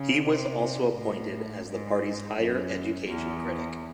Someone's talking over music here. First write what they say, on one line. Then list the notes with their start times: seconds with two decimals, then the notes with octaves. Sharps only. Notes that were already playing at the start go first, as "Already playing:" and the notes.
He was also appointed as the party's Higher Education Critic.
Already playing: C#3
0.26 C3
0.97 A2
1.68 G#2
2.38 F#2
3.09 E2